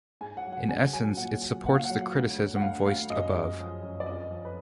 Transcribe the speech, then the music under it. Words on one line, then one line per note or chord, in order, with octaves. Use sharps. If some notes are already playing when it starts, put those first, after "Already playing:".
In essence it supports the criticism voiced above.
G#2 G#5
F#5
F#3
F#5
G#2 G#5
F#3 G#5
A#2 F#5
F#3
A#2 F#5
F5
F#5
F#3
D2
D2
F#5
D2 F5
D2 F5
F#2 D#5
G#3
F3
F#2
D5
F2 D#5
F3
B4